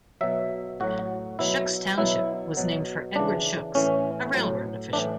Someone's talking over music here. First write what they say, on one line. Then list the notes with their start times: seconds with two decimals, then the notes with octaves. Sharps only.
Shooks Township was named for Edward Shooks, a railroad official.
0.21 B2 F#3 E5
0.80 A2 F#3 F#4
1.39 B2 F#3 E4
1.98 B2 F#3 E4
2.57 B2 F#3
3.15 C#3 E3 D4
3.75 A2 E3 C#4
4.34 A2 F#3
4.93 A2 E3 D4